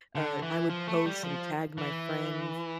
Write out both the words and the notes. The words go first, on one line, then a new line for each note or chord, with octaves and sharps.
uh, I would post and tag my friends,
D3
E3
F3
A3
G3
F3
E3